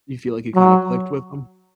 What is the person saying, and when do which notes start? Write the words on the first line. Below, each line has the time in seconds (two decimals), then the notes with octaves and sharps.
You feel like you kinda clicked with 'em?
0.55 F#3